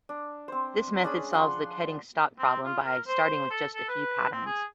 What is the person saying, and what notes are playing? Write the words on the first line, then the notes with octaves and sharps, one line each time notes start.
This method solves the cutting-stock problem by starting with just a few patterns.
D4
C4 C5
C#4 D4 G#4 B5
F3 F#5 C6
C4
F4
A#4
C5
C5
A4
A4
B4
C4
G#4